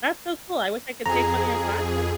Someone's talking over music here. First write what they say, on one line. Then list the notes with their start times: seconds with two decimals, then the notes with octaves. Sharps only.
That's so cool, I wish I could take one of your classes.
1.06 F2 G#4 A#5